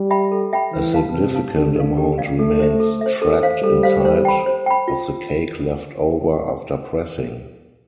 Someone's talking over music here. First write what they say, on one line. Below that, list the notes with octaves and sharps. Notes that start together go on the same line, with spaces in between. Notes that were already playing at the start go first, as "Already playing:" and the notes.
A significant amount remains trapped inside of the cake left over after pressing.
Already playing: G3
E5 G5 B5
A4
E5 G5 B5
E3 B4
F5 A5
C3 B4
F5 A5
D3 G4
D5 F5
G4
D5 F5
A3 A4
C5 E5
A4
C5 E5
A4
C5 F5
G3 A4
C5 F5
C5
G5 B5
C5
G5 B5
F4